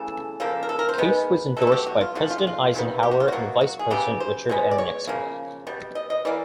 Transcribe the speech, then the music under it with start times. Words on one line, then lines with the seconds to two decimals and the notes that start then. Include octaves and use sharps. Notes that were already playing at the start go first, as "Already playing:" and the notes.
Case was endorsed by President Eisenhower and Vice President Richard M. Nixon.
Already playing: C#3 E3 A3 A4
0.40 C#3 F3 A#3 A4
0.63 A#4
0.69 A4
0.79 A#4
0.89 C5
0.98 D#3 G#3 B3 B4
1.57 B2 F#3 A3 A4
1.67 F#4
1.72 G4
1.87 F#4
2.01 F4
2.15 C#3 F3 A3 F#4
2.30 F4
2.38 F#4
2.47 F4
2.74 C3 D#3 G#3 B3
3.03 G4
3.11 F#4
3.20 F4
3.28 B2 F#3 A#3 F#4
3.61 F#4
3.79 G#4
3.90 C#3 F#3 B3 G4
4.20 C5
4.49 B2 G#3 B3
4.71 D5
4.78 C#5
5.07 C#3 F3 A#3
5.67 B2 G3
5.95 D#5
6.10 D#5
6.25 E3 G3 A#3 D5